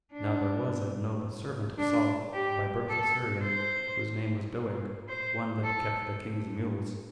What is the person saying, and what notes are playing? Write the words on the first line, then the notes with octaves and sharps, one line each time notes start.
Now there was at Nob a servant of Saul, by birth a Syrian, whose name was Doeg, one that kept the king's mules.
D4
D4
G4
A4
C5
C5
A4